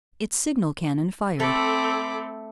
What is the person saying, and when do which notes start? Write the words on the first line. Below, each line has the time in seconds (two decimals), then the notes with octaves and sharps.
Its signal cannon fired.
1.40 A3 C4 A4 B5 D6